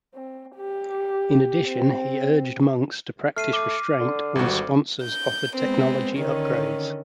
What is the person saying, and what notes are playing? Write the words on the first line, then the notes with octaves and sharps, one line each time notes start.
In addition he urged monks to practise restraint when sponsors offer technology upgrades.
C4
G4
C4
A3 F6 C7 D#7
D6
D3
G#1 D2 G3 F#4
G6
G#3 B3 C4
D3 D#3 C#4